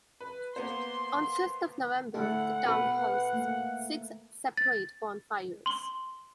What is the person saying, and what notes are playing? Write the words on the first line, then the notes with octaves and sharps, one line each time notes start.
On Fifth of November, the town hosts six separate bonfires.
B4
A#3 B3 C5 C6
A2 D3 A3 A4 F#5
B2 B4
A3 A#3
A6
C6 G7